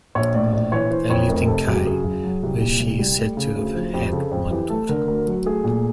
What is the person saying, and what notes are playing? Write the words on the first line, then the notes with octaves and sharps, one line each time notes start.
They lived in Kai, where she is said to have had one daughter.
A#1 C#5
A2 D5
A#1 D5
E3 C#5
E3 C5
F2 C#5
F1 A#4
C3 A4
F#2 G#4
G4
C#3 G#4
F#2
F#3
C2 G4
A#2
C2
G3
A3
C#3
D2
F3
F2 G4
C#3 A4
F2
E3 G4
A3 A4
D3 A#4
D2 A#4
F#3
A3 G#4
A#2